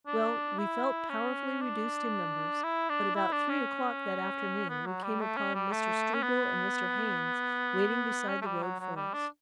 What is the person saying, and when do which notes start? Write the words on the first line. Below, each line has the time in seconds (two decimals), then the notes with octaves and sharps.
Well, we felt powerfully reduced in numbers, but about three o'clock that afternoon we came upon Mr. Struble and Mr. Haynes waiting beside the road for us.
0.07 D4
0.58 E4
1.09 C#4
1.61 D4
2.64 E4
2.89 D4
3.15 E4
3.32 D4
3.49 C#4
4.69 B3
4.86 F#3
5.04 G3
5.21 A3
5.37 C#4
5.54 G3
5.71 A3
6.14 C#4
6.23 B3
8.29 C#4
8.42 A3
8.46 G3
8.62 F#3
8.79 F#3
8.96 G3
9.14 D4